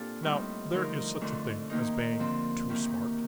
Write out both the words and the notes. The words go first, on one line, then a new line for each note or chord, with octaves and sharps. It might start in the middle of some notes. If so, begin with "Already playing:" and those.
Now there is such a thing as being too smart.
Already playing: A#2 C4 D4 F4 G4 A4
A2 G3 C4 D#4
D3 F3 A3 D#4 A#4
F2 D3 A3 D4
C3 D#3 A#3 D#4
D3 F3 C4
D2 C3 D#3 A#3